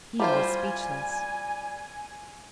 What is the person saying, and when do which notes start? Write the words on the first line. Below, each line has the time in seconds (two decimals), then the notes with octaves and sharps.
He was speechless.
0.20 G3 F4 C5 G#5